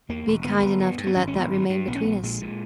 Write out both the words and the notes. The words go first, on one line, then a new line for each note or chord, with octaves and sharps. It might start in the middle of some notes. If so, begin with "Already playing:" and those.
Be kind enough to let that remain between us.
E2 A#3
E1
G1 B3
A#3
G1 B3
G2
G2
B3
G#1 C#4
C#4
G#1 B3
G2
G2
A#1 B3
C#4
A#1 B3
A#2 G#3
A#2